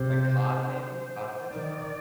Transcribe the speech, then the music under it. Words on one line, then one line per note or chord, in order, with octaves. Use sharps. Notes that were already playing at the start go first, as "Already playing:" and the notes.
Like cod maybe, codfish?
Already playing: C3 C5
C5
C5
D#3 D5